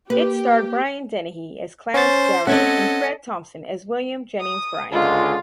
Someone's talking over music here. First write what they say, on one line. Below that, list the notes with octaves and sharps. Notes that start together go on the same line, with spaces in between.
It starred Brian Dennehy as Clarence Darrow and Fred Thompson as William Jennings Bryan.
A#3 G4 B4
C#4 C5 A6
C4 C#4 A4 D#5 F#5 G#6
D#6
C#2 D3 G#3 F4